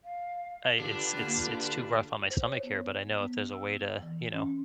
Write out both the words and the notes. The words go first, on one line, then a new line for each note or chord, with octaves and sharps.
I it's it's it's too rough on my stomach here, but I know if there's a way to you know,
F5
D3 D4 F4 G4 B4
A#3
C5
C#5
B3
B3
E6
E3
C#4